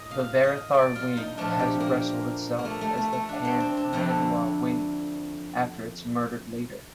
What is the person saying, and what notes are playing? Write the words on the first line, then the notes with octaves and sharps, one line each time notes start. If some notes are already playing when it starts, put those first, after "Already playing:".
The "Varathar wing" has restyled itself as the "Padmanaba wing", after its murdered leader.
Already playing: A2 D#5
F5
D#5
D5
F4
D#4
A#2 F3 A3 D4
G4
A#3
A#3
A3
A3
A3
A3
D4
C4
C4
D4
F2 D3 A3 D4